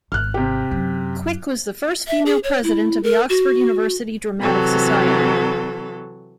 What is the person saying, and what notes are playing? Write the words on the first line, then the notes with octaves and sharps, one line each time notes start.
Quick was the first female president of the Oxford University Dramatic Society.
G#1 F6 F#6
C3 G4
F#2
E5
G#4
C#5
E4
A#4
F#4
C3 E3 F#3 A4